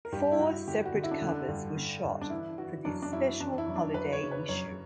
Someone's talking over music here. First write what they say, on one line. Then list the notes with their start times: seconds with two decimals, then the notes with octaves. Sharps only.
Four separate covers were shot for this special holiday issue.
0.05 A#4
0.12 G2 G4
0.32 E4
0.39 G2 F#4
0.67 D3 G4
0.86 F#4
0.94 D3
1.03 E4
1.11 D4
1.22 D3
1.29 D4
1.48 G2
1.77 D3
2.04 G2
2.21 D4
2.30 E3 E4
2.58 E3 F#4
2.85 F#2 D4
3.02 D4
3.12 F#2 E4
3.40 E3 D4
3.58 E4
3.68 F#2
3.76 D4
3.94 F#2 B4
4.13 C#5
4.22 C#3
4.31 B4
4.49 F#2 C#5